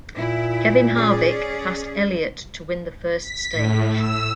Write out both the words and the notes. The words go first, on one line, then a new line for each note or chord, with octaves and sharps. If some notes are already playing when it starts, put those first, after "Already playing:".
Kevin Harvick passed Elliott to win the first stage.
A#2 E4
C#4 G#4 D5
B6
A2
E6